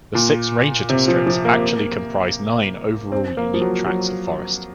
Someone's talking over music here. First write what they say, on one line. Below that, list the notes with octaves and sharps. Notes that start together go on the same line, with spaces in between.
The six ranger districts actually comprise nine overall unique tracts of forests.
A#2
C3
F3
F3
A#3
C4
A#3
F3
F#3
F#3